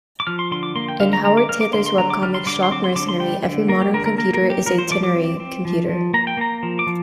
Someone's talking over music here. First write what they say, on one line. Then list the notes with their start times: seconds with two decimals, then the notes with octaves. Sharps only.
In Howard Tayler's webcomic "Schlock Mercenary", every modern computer is a ternary computer.
0.20 D6
0.27 F3 F6
0.39 C6
0.51 D3 C6
0.63 D6
0.75 A#3 C6
0.88 G5
1.00 D3 F5
1.13 A#5
1.24 A#3 A#5
1.37 D6
1.49 A#3 F6
1.61 D6
1.73 D3 C6
1.86 C6
1.98 D3 A#5
2.10 D6
2.22 G3 F6
2.34 C6
2.46 D3 D6
2.63 C6
2.71 C4 D6
2.84 C6
2.95 D3 D6
3.09 C6
3.20 G3 G5
3.44 D3
3.68 A#3 A#4
3.81 G4
3.93 D3 A#4
4.06 A#4
4.18 A#3 A#4
4.34 A#4
4.43 A#3
4.50 G4
4.66 F3 A#4
4.78 C5
4.91 F3 D6
5.04 D6
5.16 C4
5.40 C4
5.65 F3
5.89 F3
6.14 A#3 A#5
6.27 G5
6.37 A#3 A#5
6.63 F3
6.79 D6
6.87 F3